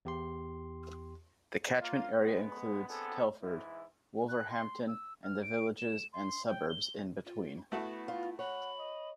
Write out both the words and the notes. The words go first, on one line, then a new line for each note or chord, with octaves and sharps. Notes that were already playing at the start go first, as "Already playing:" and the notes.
The catchment area includes Telford, Wolverhampton and the villages and suburbs in between.
E2 G4 C6
A#3 F4
G#3 B3
D3 B3 C4 G#4 A4
G#2 E3 E4
F#6
C6
E6
F6
D7
E7
C6
G5
G7
F4
A3 B3 E4 F#4 A4
F4
C#5 F#5 B5
D#5